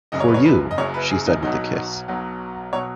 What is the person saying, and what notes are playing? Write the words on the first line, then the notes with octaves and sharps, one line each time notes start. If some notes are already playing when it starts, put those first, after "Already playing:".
"For you," she said with a kiss.
F#1 F#2 C#3 D#5
C#5
B4
C#5
B4
D#5
F#1 F#2 C#3 C#5
B4
G#4
D#4
B1 B2 F#3 D#4
B1 B2 F#3
B2 F#3 C#5